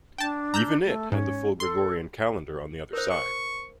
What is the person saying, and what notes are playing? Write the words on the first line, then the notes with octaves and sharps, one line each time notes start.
Even it had the full Gregorian calendar on the other side.
D4 G5 A5
A#5 E6 G6
A3
G#2 C#4
A4 C6
D#4 A#4 C5
C#6